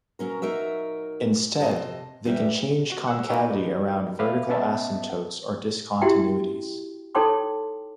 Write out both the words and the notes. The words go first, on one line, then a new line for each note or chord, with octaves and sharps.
Instead, they can change concavity around vertical asymptotes or discontinuities.
F#3 C#4 A#4
F#3 D#4 A#4 E5
F2 C3 D#3 D#5 A5
E2 G3 G4 E5
F#4
F#5 E6
D#4 F#4 A#4 B4 D5 D#5
B4 E5 F5
B3 C#4 D#5 E5 A5
E4 F#4 G4 E5 G5 C6
D#4 A4 C#5 G5 C6 D6